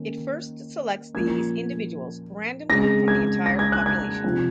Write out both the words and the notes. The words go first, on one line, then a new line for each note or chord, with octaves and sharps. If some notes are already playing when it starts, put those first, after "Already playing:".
It first selects these individuals randomly from the entire population.
Already playing: D#3 A#3 C#4
A#2 F3 A#3 C#4 G#6
C#3 G#3 C4 A#6
G#6
A#6
G#6
F#6
G#6
C3 F3 C4